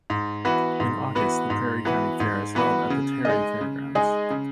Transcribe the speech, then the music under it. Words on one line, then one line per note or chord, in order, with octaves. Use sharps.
In August, the Prairie County Fair is held at the Terry Fairgrounds.
G#2
E3 B3 F#4 B4
G#2
E3 B3 F#4 B4
G#2
E3 B3 F#4 B4
G#2
E3 B3 F#4 B4
C#3
G#3 D#4 G#4 D#5
C#3
G#3 D#4 G#4 D#5
C#3